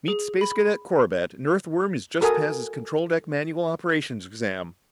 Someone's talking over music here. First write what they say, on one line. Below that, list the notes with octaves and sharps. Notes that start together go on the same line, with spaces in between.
"Meet Space Cadet Corbett--an Earthworm who's just passed his control-deck manual operations exam!"
G#4
B5
F#4 A4 A#4 G#5 D#6